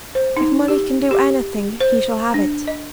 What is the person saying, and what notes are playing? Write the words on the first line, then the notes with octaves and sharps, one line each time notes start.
"If money can do anything, he shall have it."
C5
D#4
G4
G4
C5
D4
D#5